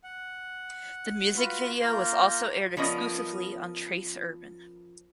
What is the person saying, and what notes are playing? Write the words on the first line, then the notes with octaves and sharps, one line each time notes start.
The music video was also aired exclusively on Trace Urban.
F#5
F4 F#4 B4
A#3 F4 A#4 G6
F3 B3 C#4 A#4 D#5